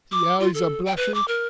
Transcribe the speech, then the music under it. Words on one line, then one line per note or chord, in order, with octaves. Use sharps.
See how he's a-blushing!
D6
F4
A4
G5
B4
D6
A#4